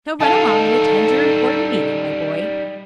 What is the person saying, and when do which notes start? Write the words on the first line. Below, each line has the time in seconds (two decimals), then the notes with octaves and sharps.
"Now, run along and attend your important meeting, my boy."
0.20 G3 D#4 A4 F5 A5